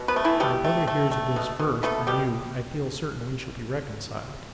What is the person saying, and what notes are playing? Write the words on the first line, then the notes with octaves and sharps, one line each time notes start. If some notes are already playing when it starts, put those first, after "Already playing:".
If my brother hears of this, first, from you, I feel certain we shall be reconciled.
Already playing: B2
B3 B4
A3
E3 E4
B2 G3 G4
A3
A3
A3
B2
B2
A3 B3 A4
B2 G3 G4